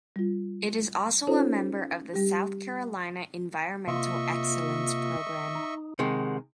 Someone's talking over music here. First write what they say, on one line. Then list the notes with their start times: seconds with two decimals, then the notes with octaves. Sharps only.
It is also a member of the South Carolina Environmental Excellence Program.
0.16 G3 F4
1.27 C#4 D#4 F4 A4 C5 C#5
2.14 G3 G4
3.88 C3 A#3 F4 D#5 E5 C#6
5.55 D#4
5.99 C3 D#3 G#3 F#5